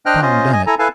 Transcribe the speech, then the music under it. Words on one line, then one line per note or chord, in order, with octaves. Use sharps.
Tom done it.
D4 C5 D#5 G5 F6 F#6
C#4 F4 C5 D#5
D#5 G#5
E4 A4 G#5 A#5
E4 A4 B4 F5 G#5 A5